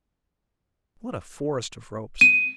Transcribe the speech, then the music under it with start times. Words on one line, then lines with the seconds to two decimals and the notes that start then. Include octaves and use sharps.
What a forest of ropes!
2.21 D#7